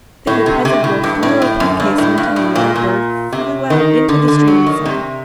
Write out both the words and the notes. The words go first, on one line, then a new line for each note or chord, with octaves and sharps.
Then the peasant girl threw open the casement, and the yellow bird flew out into the streaming sun.
A2
C3
C3
A2
G2
A2
A2
F#2
G2
A2
G2
A2
A#2
A#2
C3
D#3
D3
D3
F#3
D#3
C3